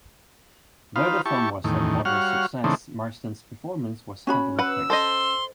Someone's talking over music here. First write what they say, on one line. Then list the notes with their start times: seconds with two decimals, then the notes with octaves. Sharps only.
Though the film was a moderate success, Marsden's performance was heavily praised.
0.96 D#4 F4 B4 C5 F5
1.26 E4 G4 A5 C#6
1.64 E2 A2 D#3
2.05 G3 F#4 C#5 F5 F#5 F6
2.64 C#3 E3 A3 C4 D4 D#4
4.27 C#4 F#4 B5
4.59 B4 F#5 E6
4.90 A4 C5 D#5 C6